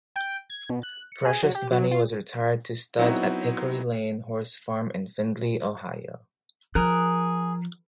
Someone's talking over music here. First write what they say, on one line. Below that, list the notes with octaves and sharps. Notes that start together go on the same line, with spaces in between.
Precious Bunny was retired to stud at Hickory Lane Horse Farm in Findlay, Ohio.
G5
G#6
B2
F#6
C#7
G#4
F#3
G4
F#3
F4
F#3 B3 C4 D#4 E4 F#4
F3 G#4 A#4 F#6